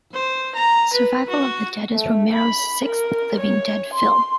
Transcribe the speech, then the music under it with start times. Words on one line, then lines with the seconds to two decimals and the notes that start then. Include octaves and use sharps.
"Survival of the Dead" is Romero's sixth "Living Dead" film.
0.13 C5
0.55 A#5
0.92 B4
1.29 F#4
1.95 A3
2.33 B5
2.85 A#4
3.40 C#5
3.94 C6